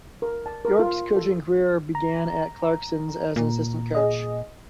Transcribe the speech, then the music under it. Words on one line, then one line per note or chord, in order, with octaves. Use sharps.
York's coaching career began at Clarkson as an assistant coach.
A#4
A5
A#4
F4
A4
A#5
A#2
G#4 D#5